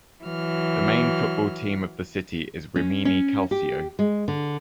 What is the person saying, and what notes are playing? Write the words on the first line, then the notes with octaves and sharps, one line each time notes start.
The main football team of the city is Rimini Calcio.
E3 F#3 F6
C#4
C#4
G4
G#3
D3